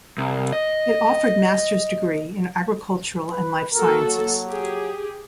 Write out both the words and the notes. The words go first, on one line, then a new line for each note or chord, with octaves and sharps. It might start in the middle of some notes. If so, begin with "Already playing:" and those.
It offered master's degree in agricultural- and life sciences.
C2
D#5
B4
A#3 F#4 A4 A#4
F#3
G4 G#4